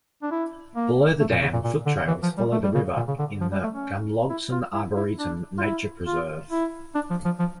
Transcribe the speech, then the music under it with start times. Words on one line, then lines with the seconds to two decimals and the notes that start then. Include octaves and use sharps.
Below the dam, foot trails follow the river in the Gunlogson Arboretum Nature Preserve.
0.22 D4
0.31 E4
0.75 A#3
1.20 A3
1.31 A#2
1.42 C#3
1.53 A#2
1.64 A#2
1.86 D3
2.08 E3
2.23 F3
2.37 G3
2.52 A3
2.63 G3
2.75 C#3
2.97 A#2
3.08 C#3
3.19 D3
3.41 F3
3.52 G3
3.64 A3
3.74 C#4
4.30 E4
4.52 F4
4.74 E4
4.96 E4
5.18 D4
5.58 F4
5.62 E4
6.07 F4
6.51 E4
6.95 D4
7.10 F3
7.25 F3
7.39 F3